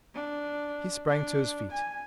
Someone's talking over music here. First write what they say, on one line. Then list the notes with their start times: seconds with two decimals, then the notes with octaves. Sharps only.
He sprang to his feet.
0.15 D4
1.09 D4
1.71 G#5